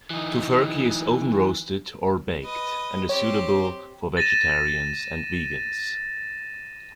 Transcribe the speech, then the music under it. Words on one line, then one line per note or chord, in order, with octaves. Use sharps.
Tofurkey is oven-roasted or baked and is suitable for vegetarians and vegans.
E3 D#4
B4 D#5
C4 G4 C#5
A6 A#6 D#7 E7